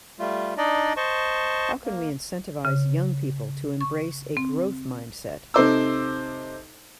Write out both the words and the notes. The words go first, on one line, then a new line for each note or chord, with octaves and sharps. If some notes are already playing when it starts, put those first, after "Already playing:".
How can we incentivise young people to embrace a growth mindset?
G3 A3 F4
D4 D#4 D5 D#5
C5 D#5 A5 C#6
A#3
C#3
C#6
C4
C3 D#4 A4 C5 D6 E6